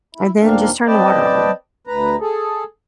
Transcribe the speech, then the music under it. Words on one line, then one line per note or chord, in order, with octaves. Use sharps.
And then, just turn the water on
E4
D#2 A#2 A#3 C4 D4 F5
C4 B4 D5 D#5 G5 A5
D2 B4 A#5
G#4 A4